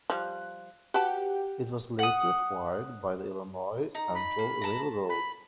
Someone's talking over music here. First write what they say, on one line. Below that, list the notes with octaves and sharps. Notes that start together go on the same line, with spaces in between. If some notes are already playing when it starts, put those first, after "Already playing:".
It was later acquired by the Illinois Central Railroad.
F3 G3 F#6
F#4 G4 B4 F#5 G5 A5
F#5 D#6
D#4 A#5
B5
A#3
A5 A#5
B5